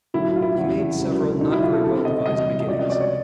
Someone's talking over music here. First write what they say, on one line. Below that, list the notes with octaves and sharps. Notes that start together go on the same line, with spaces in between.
He made several not very well-devised beginnings.
B1 A2 F#3 E4
E4
F4
E4
F1 E2 C#3
C#2 B2 F#3
B1 B2 F#3 D#4
E4
F4
A4
D2 C3 D#3 A4
D#5
E2 C3 E3 G3 D#5
D#5
C#2 C3 F3 D5
D#5
D5
C#5